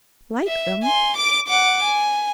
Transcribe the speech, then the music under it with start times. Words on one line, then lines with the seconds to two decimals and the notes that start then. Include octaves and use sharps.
Like them!
0.47 E5
0.83 G#5 C6
1.16 D6 D7
1.48 F#5 D6
1.82 G#5